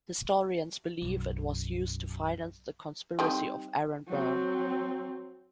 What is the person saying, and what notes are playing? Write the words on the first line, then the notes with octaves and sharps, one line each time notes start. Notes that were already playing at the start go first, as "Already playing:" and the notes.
Historians believe it was used to finance the conspiracy of Aaron Burr.
B1 F#2
G3 C4 D#4
F#3 C4